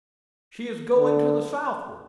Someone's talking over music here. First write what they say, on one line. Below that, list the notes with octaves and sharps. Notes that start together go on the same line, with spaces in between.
"She is going to the southward."
D3